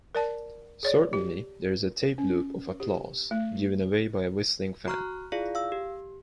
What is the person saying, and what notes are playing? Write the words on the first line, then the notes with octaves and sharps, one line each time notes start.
Certainly there is a tape-loop of applause, given away by a whistling fan.
A#4 D5 A5
G#4 C#5 D5
G4
C#4
G4
A3
F#4 A#5 C#6 F6 F#6
E4 F4 G#4 D5 F5
F5 E6
G4